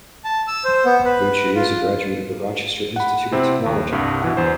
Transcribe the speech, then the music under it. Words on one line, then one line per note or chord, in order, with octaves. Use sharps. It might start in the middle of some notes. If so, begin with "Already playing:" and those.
Vucci is a graduate of the Rochester Institute of Technology.
A5
E6
C5
B3
B4
F4
F#5 B5
C3 C4 E4
D#2
C2 G2
B2 E3 F#5
E2 C5